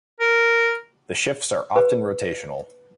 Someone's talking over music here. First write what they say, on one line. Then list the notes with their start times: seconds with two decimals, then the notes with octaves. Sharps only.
The shifts are often rotational.
0.20 A#4
1.76 B4